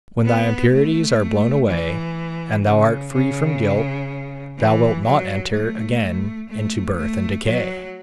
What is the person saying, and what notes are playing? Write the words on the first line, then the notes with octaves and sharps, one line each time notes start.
When thy impurities are blown away, and thou art free from guilt, thou wilt not enter again into birth and decay.
B3
A3
E3
C#3
C#3
E3
F#3
A3
A3
A3
F#3